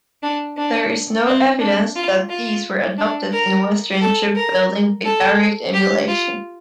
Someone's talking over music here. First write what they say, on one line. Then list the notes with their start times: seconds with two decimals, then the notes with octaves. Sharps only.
There is no evidence that these were adopted in Western shipbuilding by direct emulation.
0.22 D4
0.57 D4
1.26 C4
1.60 D4
1.95 F4
2.29 F4
2.98 D4
3.32 A#4
4.01 A4
4.35 A#4
5.05 A4
5.74 G4
6.08 F4